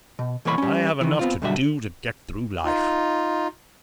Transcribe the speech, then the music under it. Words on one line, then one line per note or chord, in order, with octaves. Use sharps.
I have enough to do to get through life.
B2
B1 E3 A#3 C#5 B5
G3 C#4
D#3 E3
B3 C4 F4
F#2 B2 D3 G3 F#4 E5
D#4 F4